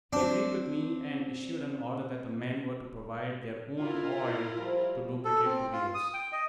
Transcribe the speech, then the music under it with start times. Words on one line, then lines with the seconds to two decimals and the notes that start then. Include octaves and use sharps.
He agreed with me and issued an order that the men were to provide their own oil to lubricate the wheels!
0.13 C4 D4 C5
3.80 E4 F4 A#4 G5
4.57 F3 G3
5.25 A4
5.45 C4
5.72 F4
5.94 D#6
6.14 G5
6.32 D#5